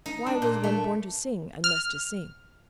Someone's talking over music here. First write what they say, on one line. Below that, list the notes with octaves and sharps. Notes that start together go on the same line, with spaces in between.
Why was one born to sing, unless to sing.
D#4
D4
A#2
A3
F6